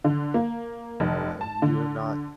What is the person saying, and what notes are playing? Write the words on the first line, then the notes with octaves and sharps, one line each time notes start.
Yeah, and you are not
D3
A#3
F1
A5
D3